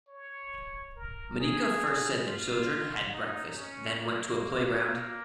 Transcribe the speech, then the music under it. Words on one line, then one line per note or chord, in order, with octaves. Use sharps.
Monika first said the children had breakfast, then went to a playground.
C#5
A#4
G#4
F4
D#4
C#4
A#3
A#3